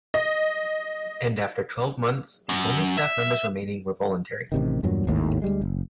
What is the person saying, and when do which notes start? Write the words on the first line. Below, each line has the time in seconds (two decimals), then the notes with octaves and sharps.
And after twelve months, the only staff members remaining were voluntary.
0.14 D#5
2.49 F#2
2.97 E5
4.52 A1 C3 D#3
4.83 E2 G2 A#2 F#3
5.07 G#1 D#2 A2
5.42 D2 G3 G#3
5.61 F#1